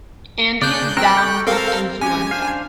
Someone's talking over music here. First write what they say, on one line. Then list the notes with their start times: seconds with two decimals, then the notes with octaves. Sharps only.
Andy is down with influenza.
0.62 C#3 D4 D5 F#6 G6
0.97 F#3 C4 A#4 G5 F#6
1.15 A4 C#6 G6
1.47 C4 A4 A#4 C5 F5
2.01 G#3 C#4 G4 G#5
2.31 D4 C5 F5